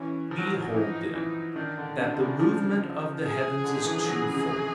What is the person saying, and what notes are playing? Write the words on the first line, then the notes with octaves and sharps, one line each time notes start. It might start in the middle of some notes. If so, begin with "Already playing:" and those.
We hold, then, that the movement of the heavens is twofold.
Already playing: E3 C#4
F3 D#4
F#3
F3
F#3
F3
E3 D#4
E3 D#4
D#3 D4
D3
C3
D3
C#3
F3
G#4
D3
D#3
E3
F3
F#3
C#3
C3